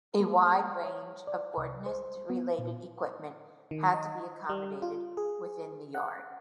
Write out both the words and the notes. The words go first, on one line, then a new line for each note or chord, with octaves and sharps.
A wide range of ordnance-related equipment had to be accommodated within the Yard.
A#3
C#5
D5
C2
C5
B3
A#2
D#3
D#5
G3
F4
G#4
F#5